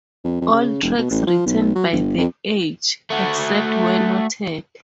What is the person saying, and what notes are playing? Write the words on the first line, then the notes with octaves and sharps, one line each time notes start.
All tracks written by The Edge except where noted.
F2
F2
C#3
E1
B2
A1
F3
B1
F#3
G1
F2
A3 F#4